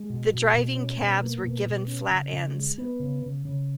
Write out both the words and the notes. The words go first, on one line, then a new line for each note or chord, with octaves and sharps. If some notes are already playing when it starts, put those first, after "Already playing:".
The driving cabs were given flat ends.
Already playing: G#3
B2
B2
B2
C#4
B2
A#3
B2
B2
C#4
C#3
C#3
G#3
B3
C#3
C#3
C#3